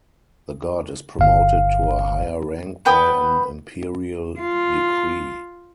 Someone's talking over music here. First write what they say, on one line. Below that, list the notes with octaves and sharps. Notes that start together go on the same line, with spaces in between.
The god is promoted to a higher rank by an imperial decree.
G1 F5
B3 B4 G5 D#6
F4